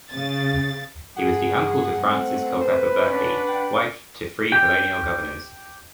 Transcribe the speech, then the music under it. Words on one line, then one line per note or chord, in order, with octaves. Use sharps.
He was the uncle to Frances Culpeper Berkeley, wife to three colonial governors.
C#3 A6
G2 G#4 F#5
A3 C4
B4 C5
C#4 D4 F#5
G5
G4 G5